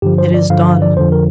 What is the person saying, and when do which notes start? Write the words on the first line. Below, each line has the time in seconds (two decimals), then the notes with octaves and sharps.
It is done.
0.02 G2 D3 F3 G4
0.18 C5
0.34 D5
0.49 G2 D3 F3 F5
0.66 F5
0.82 D5
0.97 F2 D3 F3 C5
1.12 A#4